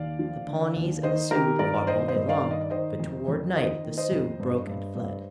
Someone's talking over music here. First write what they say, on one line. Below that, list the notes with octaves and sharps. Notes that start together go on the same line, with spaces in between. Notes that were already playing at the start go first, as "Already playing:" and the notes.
The Pawnees and Sioux fought all day long, but toward night the Sioux broke and fled.
Already playing: D#2 D5 F5
F3
D3
D#2
D#3 C5 D#5
D#3 G4 A#4
G2 A#4 D5
D#3 C5 D#5
C5 D#5
G2
D5 F5
D#3
D#5
D5
D#3 C5 D#5
F2
F2
D#3 C5 D#5
D#3
C5 D#5
F2
G2
G2
G2